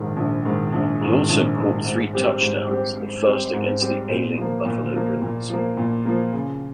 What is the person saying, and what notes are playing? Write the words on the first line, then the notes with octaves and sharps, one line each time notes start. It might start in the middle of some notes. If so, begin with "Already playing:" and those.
He also caught three touchdowns, the first against the ailing Buffalo Bills.
Already playing: A#1 G#2 D#3
A#1
G#2 D#3
A#1
G#2 D#3
A#1
G#2 D#3
G#2
G3 C4 G4 C5
G#2
G3 C4 G4 C5
G#2
G3 C4 G4 C5
G#2
G3 C4 G4 C5
A#2
F3 A#3
A#2
F3 A#3
A#2
F3 A#3
A#2
F3 A#3
C#3